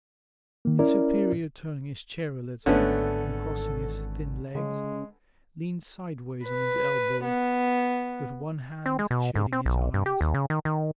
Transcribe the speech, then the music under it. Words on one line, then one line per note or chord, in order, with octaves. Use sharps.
His superior turning his chair a little, and crossing his thin legs, leaned sideways on his elbow, with one hand shading his eyes.
D#3 A#3
C#4 E4 A#4 D5
G#1 D3 A3 B3 C#4 A4
C#3 G#3
B4
B3
C4
G#3
B2
G#2
C4
B1
G2
G4
D#2
C#3
D#3
D#3